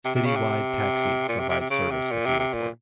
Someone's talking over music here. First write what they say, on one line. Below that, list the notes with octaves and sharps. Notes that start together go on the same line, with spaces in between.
City Wide Taxi provides service at the airport.
C3
C3
C#3
C3
A#2
C3
C3
C3
C#3
C3
A#2
C3
C3
A#2